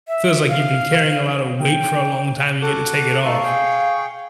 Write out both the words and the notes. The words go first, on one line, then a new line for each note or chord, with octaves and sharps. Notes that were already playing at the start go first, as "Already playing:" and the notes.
feels like you've been carrying a lotta weight for a long time and you get to take it off.
E5
F5
G5
F#4 A4 F#5 D6
A3 D#4 A4 F5 C#6
G#4 G5